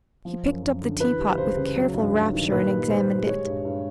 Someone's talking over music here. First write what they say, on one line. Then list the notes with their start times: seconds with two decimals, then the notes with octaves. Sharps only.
He picked up the teapot with careful rapture and examined it.
0.25 F3
0.44 F#2
0.63 F#2
0.81 D3
1.00 E3 B4
1.19 G3
1.37 C#2 C5
1.57 C#3
1.76 F#3
1.94 G2
2.13 G2
2.33 D#3
2.51 A#2 B4
2.70 G3
2.89 A#2 C5
3.08 G3
3.27 G#3 C#5
3.45 G2
3.65 G2